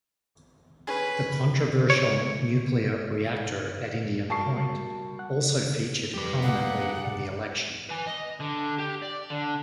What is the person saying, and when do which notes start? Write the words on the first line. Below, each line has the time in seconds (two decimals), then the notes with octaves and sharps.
The controversial nuclear reactor at Indian Point also featured prominently in the election.
0.87 C#4 G#4 B4
1.90 C#5
4.30 G3 F#4 A#4 A5 C#6 C7
5.19 F#5
6.14 F2 G3 G4 B4 D6
6.42 A#3 G#4 F#5
7.04 D5
7.89 B4 G#5
8.07 D#5
8.40 D3
8.78 G4
9.02 D5
9.30 D3